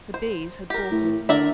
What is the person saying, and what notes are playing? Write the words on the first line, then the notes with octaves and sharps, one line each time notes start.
The bays had bolted.
C5
G4 A#4
A2
D3 A#4 D5 E5